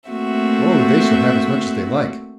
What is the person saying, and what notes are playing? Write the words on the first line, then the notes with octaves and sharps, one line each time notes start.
"Oh! they shall have as much as they like."
A3 A#3 C4 F#4 E5